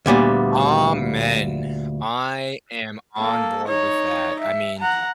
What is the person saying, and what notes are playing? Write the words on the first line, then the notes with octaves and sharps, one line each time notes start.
Amen. I am on board with that, I mean,
D2 A#2 G3 B3
A#3 A4
D#4 C#5
E5
F#5 A#5